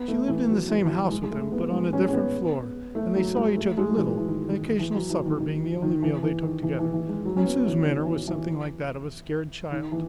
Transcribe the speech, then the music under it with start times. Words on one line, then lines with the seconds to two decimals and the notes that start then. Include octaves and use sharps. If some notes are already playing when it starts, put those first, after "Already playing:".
She lived in the same house with him, but on a different floor, and they saw each other little, an occasional supper being the only meal they took together, when Sue's manner was something like that of a scared child.
Already playing: B3
0.08 A3
0.28 E3
0.50 F#3
0.69 E3
0.85 E3
0.90 F#3
1.10 G#3
1.23 G#3
1.31 A3
1.52 B3
1.72 G#3
1.93 C#4
2.08 C#4
2.13 B3
2.95 A3
3.16 F#3
3.36 G#3
3.56 A3
3.78 G#3
3.89 F#3
3.97 E3
4.18 E3
4.28 D#3
4.48 D#3
4.79 E3
4.94 F#3
5.10 E3
5.26 D#3
5.41 D#3
5.82 D#3
6.02 E3
6.23 E3
6.43 D#3
6.63 E3
6.79 E3
6.94 E3
7.09 G#3
7.25 F#3
7.37 C#4
7.45 B3
7.66 E3
7.86 D#3
8.07 E3
8.28 E3
9.71 D#3
9.92 E3